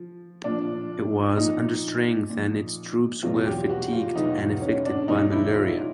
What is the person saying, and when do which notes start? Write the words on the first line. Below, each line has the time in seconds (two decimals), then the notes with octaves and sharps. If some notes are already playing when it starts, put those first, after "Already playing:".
It was understrength and its troops were fatigued and affected by malaria.
Already playing: F3
0.44 A#2 F3 D4
1.37 A#2 F3 D#4
2.30 A#2 F3
3.23 E2 B2 F#3 F4
3.46 G4
3.70 F#4
3.93 F4
4.16 E2 B2 F#3 D#4
4.62 C#4
4.85 D4
5.08 E2 B2 F#3 D#4
5.32 E4
5.55 F4
5.78 F4